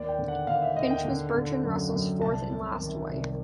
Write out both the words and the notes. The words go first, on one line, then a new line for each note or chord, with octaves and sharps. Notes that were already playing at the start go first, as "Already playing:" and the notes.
Finch was Bertrand Russell's fourth and last wife.
Already playing: D#2 D5
G5
D3
F#5
D#2 F5
E5
D#2 D#5
G5
D3
D3
F#2
F#2
C2 A5
C3
D#3
C2